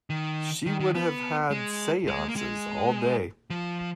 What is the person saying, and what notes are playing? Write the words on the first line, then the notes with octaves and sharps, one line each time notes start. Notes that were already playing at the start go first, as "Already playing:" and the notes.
She would have had seances all day.
D#3
D#3
D#3
B3
G#3
G#3
A#3
G#3
F3